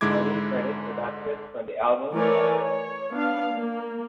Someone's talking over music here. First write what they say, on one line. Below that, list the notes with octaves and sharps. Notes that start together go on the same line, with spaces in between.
Writing credits adapted from the album's liner notes.
G#2 D3 G#3 E4 D6 G#6
E3 A3 A#4 C#5 D5 G#5
C#5
B3 D4 F5
A#3